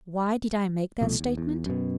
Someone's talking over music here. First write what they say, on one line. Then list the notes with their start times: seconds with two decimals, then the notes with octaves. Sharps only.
Why did I make that statement?
1.01 C2 B2 F3 A3
1.19 D#2
1.38 E2
1.66 F#2 B2